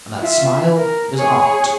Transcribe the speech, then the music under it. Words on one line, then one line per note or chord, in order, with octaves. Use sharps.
And that smile is art.
F4 E5
A#4
G#4 C#5